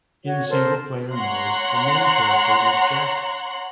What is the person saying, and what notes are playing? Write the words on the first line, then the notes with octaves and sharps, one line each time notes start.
In single player mode, the main character is Jack.
F#4 C#5
A4 A#4 C5
C#5 F#5 A#5 C6 F#6